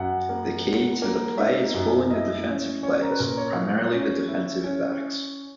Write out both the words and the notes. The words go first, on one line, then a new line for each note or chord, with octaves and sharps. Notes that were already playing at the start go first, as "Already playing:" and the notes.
The key to the play is fooling the defensive players, primarily the defensive backs.
Already playing: F#2 F#5
A#3
A#3
A#3
D#4 E5
F#2
E4 D#5
C#4
C#4 C#5
A#4
B4
A#2 A#4
C#5
E4
C#4
E4
C#4